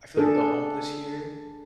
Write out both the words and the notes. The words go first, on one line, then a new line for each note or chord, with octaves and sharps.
I feel like the homeless here
D4 G#4 A4